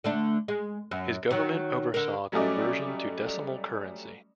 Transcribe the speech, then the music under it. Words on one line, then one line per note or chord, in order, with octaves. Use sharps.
His government oversaw conversion to decimal currency.
D3 A3 D4
G#3
F#2
D#3 F#3
D3 A#4
F#3 G3 A3 C#4 D5 D#5